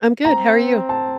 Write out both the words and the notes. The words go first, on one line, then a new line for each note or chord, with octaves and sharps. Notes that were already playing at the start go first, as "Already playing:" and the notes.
I'm good, how are you?
C4 A#5
A5